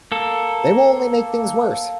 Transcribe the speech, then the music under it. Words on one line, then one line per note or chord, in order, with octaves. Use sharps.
They will only make things worse.
A#3 A4